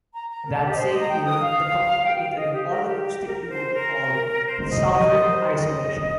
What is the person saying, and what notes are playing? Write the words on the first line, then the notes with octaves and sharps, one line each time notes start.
That same year, the couple created an all-acoustic duo called Southern Isolation.
A#5
A#5
A#4
G4
D#5
C5
D#5
A#5
G5
D#6
F5
G5
F5
D#5
G4
A#4
G4
G4
A#4
C5
A#4
C5
C5
D#5
C5
D#5
A#4
C5
D#5